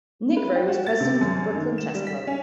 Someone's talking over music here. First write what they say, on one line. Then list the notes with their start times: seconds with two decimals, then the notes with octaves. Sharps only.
Nigro was President of the Brooklyn Chess Club.
0.37 B4
0.55 G5
0.68 F#4
0.86 A6
1.00 C3
1.21 F#2
1.54 D#3
1.78 E7
1.94 G3
2.07 B6
2.27 C#4